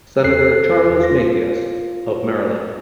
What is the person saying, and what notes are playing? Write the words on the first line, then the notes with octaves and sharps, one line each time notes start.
Senator Charles Mathias of Maryland.
E2 A4 F#6 C7
F4 A#6